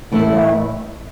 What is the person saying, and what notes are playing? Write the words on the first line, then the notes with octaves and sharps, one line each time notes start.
you know,
A2 E3 A3 E4